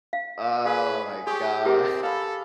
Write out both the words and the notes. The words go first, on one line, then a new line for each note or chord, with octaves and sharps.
Oh my god.
F5
G#4 B4 F5
G4 G#4 C6 C#6
C4 G4 A#4 D6
A4 F5 B5